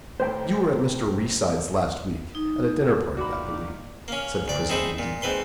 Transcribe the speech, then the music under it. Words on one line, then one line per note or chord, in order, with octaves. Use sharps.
"You were at Mr. Reeside's last week, at a dinner-party, I believe?" said the presiding deacon.
D#2 A2 C5 G5 C6
D#4
A#2 D#3 F#4 D5 B5 D6
A#3 C#4
D2 D5
C4 D#4 E4 G#4
A#2
G#2 C4 B4 C6